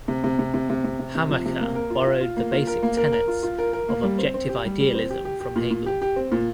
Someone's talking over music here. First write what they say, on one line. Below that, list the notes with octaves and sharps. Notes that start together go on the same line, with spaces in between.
Hammacher borrowed the basic tenets of objective idealism from Hegel.
C3
C3
C3
C3
C3
C3
C3
C3
F3
C3
A#3
A#4
F4
F4
F4
A#3
F4
A#4
A#3
A#4
A#4
F4
F4
A#4
A#4
A#3
G3
C4
C4
G4
G3
G3
C4
G4
G4
G4
A#2
A#2
G4
G4
C4
A#2